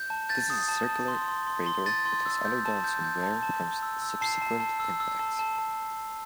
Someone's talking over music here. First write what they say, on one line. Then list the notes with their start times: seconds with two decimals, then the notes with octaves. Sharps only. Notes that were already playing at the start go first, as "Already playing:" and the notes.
This is a circular crater that has undergone some wear from subsequent impacts.
Already playing: G6
0.10 A5
0.29 G6 A6
0.50 D#6
0.68 A5
0.89 A5
1.08 C6
1.28 C6
1.47 C6
1.66 C6
1.86 C6 A6
2.06 C6
2.26 E6
2.45 G6
2.65 A5
2.84 G6
3.04 G6
3.23 A5
3.43 A5
3.62 A5
3.83 E6
4.02 E6
4.21 A5 C7
4.42 A5
4.60 A5
4.80 E6
5.00 E6
5.19 A5
5.39 A5
5.59 A5